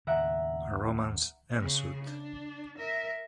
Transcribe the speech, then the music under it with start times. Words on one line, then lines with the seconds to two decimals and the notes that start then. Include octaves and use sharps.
A romance ensued.
0.07 D#2 A2 C#3 E5 F#5 A#5
1.61 C#3 G#4
2.04 D4
2.78 A#4 E5